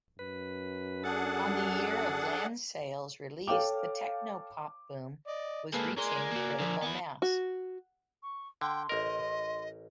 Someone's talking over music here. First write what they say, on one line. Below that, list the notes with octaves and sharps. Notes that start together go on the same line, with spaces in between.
On the year of "Landsale"'s release, the technopop boom was reaching critical mass.
F#2 B4
D4 G#4 A4 F#5
A4 C#5 F5 G5 D6
D5 D#5
G#2 A#3 G#4 A4 B4
G#4 A#4 D5 G#5 C6
A#3 F#4
D3 F3
B3 E4
F#4
C#6
D3 G5 C6
A1 A#4 D#5